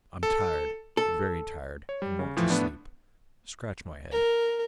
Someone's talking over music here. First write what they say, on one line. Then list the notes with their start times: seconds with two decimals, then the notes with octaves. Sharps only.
I'm tired, VERY tired, and want to sleep--scratch my head.'
0.23 A4
0.97 A4
1.89 C#5
2.02 G3
2.19 C#3
2.36 A2 E3 F3
2.50 A2 B3 D4
4.12 A#4